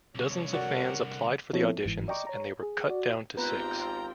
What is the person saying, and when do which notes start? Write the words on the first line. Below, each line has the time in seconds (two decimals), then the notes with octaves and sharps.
Dozens of fans applied for the auditions and they were cut down to six.
0.15 C2 F2 D3 F3 C#5
0.53 F#4 A#4 D5 F#5
1.53 F3 B3 C4 E4 A4 C#5
1.85 G1 G#2 E3
2.08 D5 D#5 G5 A#5 C#6 D6
2.27 C#5 A#5
2.63 G#4
2.89 F#4 D5
3.37 G#1 B3 C4 F4 G4 B4 G5 A#5